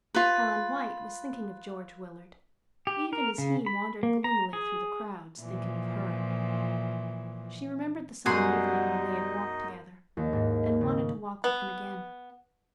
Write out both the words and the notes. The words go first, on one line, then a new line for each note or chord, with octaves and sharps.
Helen White was thinking of George Willard even as he wandered gloomily through the crowds thinking of her. She remembered the summer evening when they had walked together and wanted to walk with him again.
F4 B4
G4
A#4
C#3
B5
A#3
A#5
G#4
A#2 E3 F3
F#2 B2 G3 D#4 D#5 F#5 G#5 C6
D#2
G#2
C#3
B3